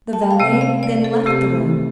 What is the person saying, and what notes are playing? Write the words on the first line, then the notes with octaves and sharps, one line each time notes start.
The valet then left the room.
A5
G5
F5
C3 A3 C4 D5
F5
D5
A4
C3 A3 C4 G4